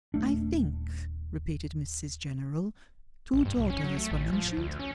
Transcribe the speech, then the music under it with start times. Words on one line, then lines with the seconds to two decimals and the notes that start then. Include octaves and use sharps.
'I think,' repeated Mrs General, 'two daughters were mentioned?'
0.14 D#1 A3 D4
3.33 A1
3.45 G2
3.57 C2
3.70 C#4
3.84 F#3
3.97 A3
4.11 A1
4.33 F3
4.57 D2
4.79 C#4